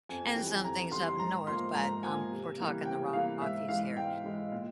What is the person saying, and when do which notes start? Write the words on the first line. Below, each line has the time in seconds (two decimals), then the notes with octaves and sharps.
and some things up north, but, um, we're talking the Rockies here,
0.09 F2 G#5
0.28 G5
0.36 E3 G3
0.46 G#5
0.64 F2 A#5
0.92 E3 G3 C6
1.08 C6
1.19 G#2 A#5
1.47 F3 A#3 C6
1.74 G#2 A#5
2.03 F3 A#3 G#5
2.31 C3
2.58 E3 G3 A#3
2.85 C3 G5
3.13 E3 G3 A#3 F5
3.41 G#2 E5
3.68 E3 G#3 F5
3.96 G#2 G5
4.24 E3 G#3
4.52 A#2